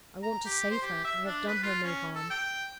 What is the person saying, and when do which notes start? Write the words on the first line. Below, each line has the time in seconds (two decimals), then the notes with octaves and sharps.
I want to save her; I have done her no harm.
0.23 A#5
0.46 G4
0.71 C5
0.82 G4
1.05 E5
1.26 D4
1.47 B4
1.63 F4
1.83 C#4
2.15 A4
2.30 G5